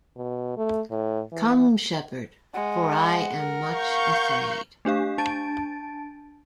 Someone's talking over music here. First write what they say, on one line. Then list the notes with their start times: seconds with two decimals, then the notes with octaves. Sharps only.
Come, Shepherd, for I am much afraid!
0.16 B2
0.57 A3
0.90 A2
1.32 E3
2.54 G#3 F#5
3.38 A#4
3.74 F5 C#6 G6
4.85 A3 D4 G4 F5
5.18 D4 A5 A6 D7